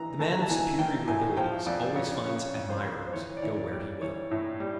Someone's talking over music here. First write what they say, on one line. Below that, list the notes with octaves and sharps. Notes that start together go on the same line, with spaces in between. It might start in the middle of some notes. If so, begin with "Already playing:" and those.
The man of superior abilities always finds admirers, go where he will.
Already playing: E3 A#5
A3 A5
A#5
A5
E3 G#5
E3 G5
A2 G#5
F3 G5
F2 D5
F2 C#5
C#3 C#5
F2
C5
F2
C5
E3 C#5
D5
E3 C#5
G3 D5
E3 C#5
A2
G3